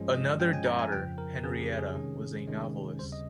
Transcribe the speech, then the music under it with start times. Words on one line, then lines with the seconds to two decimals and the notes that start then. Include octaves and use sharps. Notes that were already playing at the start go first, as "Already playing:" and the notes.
Another daughter, Henrietta, was a novellist.
Already playing: G2 F3 G#3 C#4
0.14 D#5
0.40 G2 F3 G#3 C#4 G5
0.53 G#5
0.66 A#5
0.79 G#5
0.92 F2 C#3 F3 G5
1.18 A#4
1.44 F2 C#3 F3 G#4
1.61 G4
1.78 G#4
1.96 C3 D#3 G#3 C#4
2.48 C3 D#3 G#3 C#4
2.99 D#2 C#3 G3 C4 C5
3.12 D#5